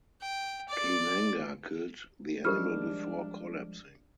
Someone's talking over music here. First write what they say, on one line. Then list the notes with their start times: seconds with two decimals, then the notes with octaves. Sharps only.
Kananga killed the animal before collapsing.
0.21 G5
0.68 D5
2.45 F3 G3 G#3 D4 F4 G4 A#4 F6